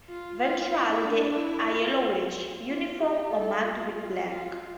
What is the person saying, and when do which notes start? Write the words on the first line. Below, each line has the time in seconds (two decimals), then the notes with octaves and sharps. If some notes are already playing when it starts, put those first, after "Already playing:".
Ventrally they are yellowish, uniform or marked with black.
0.08 F4
0.41 F4
0.74 E4
1.05 D4
1.37 E4
1.70 F4
2.66 F4
2.99 G4
3.31 A4
3.63 F4
4.27 F4